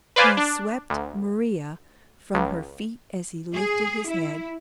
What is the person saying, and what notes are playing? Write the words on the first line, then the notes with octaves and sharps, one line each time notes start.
He swept Maria from her feet as he lifted his head.
B4 C5 D5 F5 G#5
D4
D2
C#2
G#4
E4